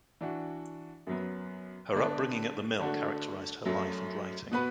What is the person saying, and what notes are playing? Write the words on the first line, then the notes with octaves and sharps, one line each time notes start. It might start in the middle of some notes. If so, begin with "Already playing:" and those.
Her upbringing at the mill characterized her life and writing.
E3 D4 F#4
F#2 F#3 B3
D3 B3 D4
D3 A3 D4 F#4
F#2 F#3 A3
B2 B3 F#4 B4